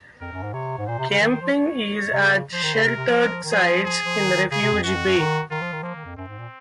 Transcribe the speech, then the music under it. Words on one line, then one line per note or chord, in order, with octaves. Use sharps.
Camping is at sheltered sites in Refuge Bay.
F2 A#4
F#2
G#2
C3 C#5
G#2
A#2 C5
C3
C#3
D#3
D#3
F3
C#5
C3
C#3
F3 C5
D#3
C#3
C3 A#4
C3
F3
D#3
F3 G#4
G#4
F3
D#3
D#3
C#3 G#4
C3
F2
F#2 F#4
F2
F#2
D#3
D#3 F4
F3
D#3
F3 A#3
D#3
F2
F#2 C4
G#2
A#2